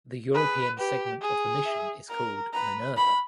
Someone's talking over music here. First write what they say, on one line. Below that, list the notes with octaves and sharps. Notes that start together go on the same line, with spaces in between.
The European segment of the mission is called "Minerva".
G#4 B4
G4 B4
G#4
E5
A#4 A#5
B4 A#5
B5